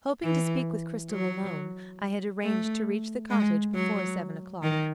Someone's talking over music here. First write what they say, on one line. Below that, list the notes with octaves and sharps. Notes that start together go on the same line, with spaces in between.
Hoping to speak with Cristel alone, I had arranged to reach the cottage before seven o'clock.
E3
F#3
A3
G#3
F#3
D#3